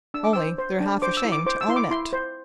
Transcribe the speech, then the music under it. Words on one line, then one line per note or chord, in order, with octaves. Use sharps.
Only they're half ashamed to own it.
D4 E6
D6
C5 E6
C5
D4
C5 D6
E6
E4
D6
C5 D6
E6
E4 C6
D6
E4 C6
C5